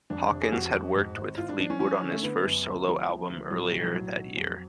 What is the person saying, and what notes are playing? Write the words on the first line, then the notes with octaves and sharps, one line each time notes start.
Hawkins had worked with Fleetwood on his first solo album earlier that year.
F2 D4
F1
G#4
F2 F#4
F2
G#2
G#1
G#1 F4
D4
F3 D4
C#4
F3 C#4
D3
A3
D3 B3
F#2
D2
F3
F3
D2
A2 F#3
B1
F3
A2 F#3
B1
F2